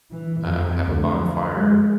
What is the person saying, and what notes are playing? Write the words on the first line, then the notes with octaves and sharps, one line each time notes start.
uh, have a bonfire,
E3
F2
D2
F3
G#3